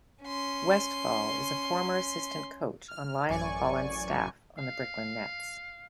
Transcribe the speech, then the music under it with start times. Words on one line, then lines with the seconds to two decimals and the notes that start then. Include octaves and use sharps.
Westphal is a former assistant coach on Lionel Hollins' staff on the Brooklyn Nets.
0.23 C#4 C6
2.88 F6
3.29 A1 F#2 D5 G#5 C#6
4.59 F5